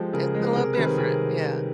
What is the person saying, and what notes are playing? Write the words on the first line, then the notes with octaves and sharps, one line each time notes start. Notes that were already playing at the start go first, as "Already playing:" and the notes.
It's a little different, yeah.
Already playing: F3 G#3 G4 A4
C#3 G#4 A#4
F3 G#3
C3 G#4 A#4
D#3 G3 C4 B4
G#4 A#4
C3 G#4 A#4